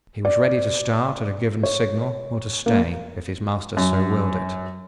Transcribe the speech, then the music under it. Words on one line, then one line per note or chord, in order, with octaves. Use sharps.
He was ready to start at a given signal, or to stay, if his master so willed it.
D5
C#5
A#3
F#2